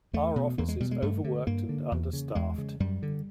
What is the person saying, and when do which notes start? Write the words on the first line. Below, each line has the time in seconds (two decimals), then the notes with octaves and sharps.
Our office is overworked and understaffed.
0.13 E2 A3
0.36 B2
0.58 E2 A#3
0.69 G#3
0.80 B2 G3
0.91 G#3
1.02 G2 A3
1.24 D3
1.47 G2 A#3
1.69 D3
1.92 E2
2.13 C#3
2.35 E2 G#3
2.58 C#3
2.80 F#2 G3
3.03 D3